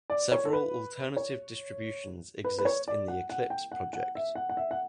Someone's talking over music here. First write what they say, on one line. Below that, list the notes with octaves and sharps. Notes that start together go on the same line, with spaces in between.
Several alternative distributions exist in the Eclipse project.
D5
C#5
A4
B4
C#5
B4
B4
C#5
D5
F#5
F#5
G5
F#5
F#5
E5
F#5
F#5
E5
F#5